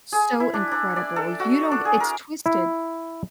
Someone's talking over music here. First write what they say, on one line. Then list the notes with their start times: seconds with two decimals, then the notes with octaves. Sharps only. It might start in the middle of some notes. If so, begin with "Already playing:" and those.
So incredible, you don't g it's twisted.
0.12 G#4
0.40 E4
0.54 D4
0.72 D4
0.96 D5
1.16 A4
1.40 F#4
1.71 D4
1.85 G#4
2.00 A#4
2.46 E4